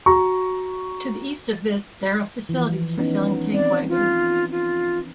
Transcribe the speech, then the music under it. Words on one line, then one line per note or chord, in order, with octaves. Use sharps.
To the east of Visp, there are facilities for filling tank wagons.
F#4 A#5 C#6
E3 F3
B3 C#4 D#4
C4 D5
F4
F4